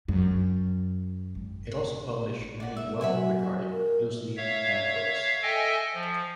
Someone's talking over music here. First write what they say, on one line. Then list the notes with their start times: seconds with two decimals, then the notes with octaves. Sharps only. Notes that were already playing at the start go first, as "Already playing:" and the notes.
It also published many well-regarded looseleafs and books.
0.08 F#2
1.35 G#1
2.60 D5 F#5
2.77 E5
3.01 F#3 E5 F#5 G#5
3.70 A#4
4.37 C#5 E5 F5
5.43 A4 D#5 E5 G5 G#5
5.94 F3